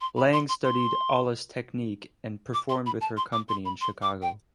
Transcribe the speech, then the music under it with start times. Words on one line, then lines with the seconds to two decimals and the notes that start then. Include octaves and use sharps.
Lang studied Allis technique and performed with her company in Chicago.
0.01 C6
0.17 B5
0.33 C6
0.49 C6
0.64 C6
2.54 D6
2.69 C6
2.86 B5
3.01 A5
3.17 C6
3.33 D6
3.49 C6
3.65 B5
3.81 C6
4.02 D6
4.22 G5